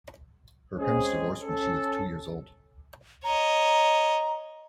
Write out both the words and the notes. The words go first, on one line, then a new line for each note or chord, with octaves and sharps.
Her parents divorced when she was two years old.
G#3 C4 C#4 G#4
C#4 A4
C#5 D#5 A#5